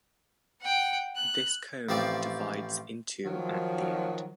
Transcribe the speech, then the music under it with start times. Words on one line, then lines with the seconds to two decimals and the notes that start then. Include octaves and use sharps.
This comb divides in two at the end.
0.61 F#5 G5
1.16 F#6
1.89 A1 F3 C4 D5
3.25 D#3 F3 F#3